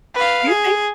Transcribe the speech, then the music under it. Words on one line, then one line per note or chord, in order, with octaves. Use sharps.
Do you think
B4 F5
G#4